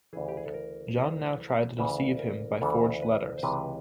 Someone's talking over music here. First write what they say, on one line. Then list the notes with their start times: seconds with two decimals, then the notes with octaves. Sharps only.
John now tried to deceive him by forged letters.
0.13 D2 C#3 E3 G#4
0.29 G4
0.37 G#4
0.46 A4
0.54 A#4
0.96 D2 C#3 E3 B4
1.78 D2 C#3 E3 B4
2.19 A#4
2.61 D2 C#3 E3 A4
3.02 B4
3.38 C5
3.43 C#2 C3 E3 B4